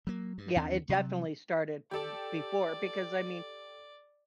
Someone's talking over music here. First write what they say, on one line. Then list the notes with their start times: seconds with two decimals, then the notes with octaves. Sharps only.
Yeah, it definitely started b before because, I mean,
0.07 F#3 A#3
0.38 G2
0.56 D#2 E3 C4 D4
0.89 C3 F#3
1.91 G4 A4 D5